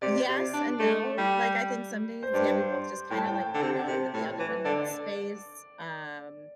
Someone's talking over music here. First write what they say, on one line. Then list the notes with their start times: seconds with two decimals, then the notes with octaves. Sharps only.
yes and no. Like, I think some days, yeah, we both just kinda, like, know that the other one needs space. Um
0.02 C3 D5
0.28 C3
0.53 D4
0.80 A3
1.18 G3
2.23 C5
2.34 G2 D5
3.11 A2 G5
3.17 A5
3.25 G5
3.54 D3
3.62 C3
3.87 C3
4.13 A2
4.39 E3
4.65 D3 D5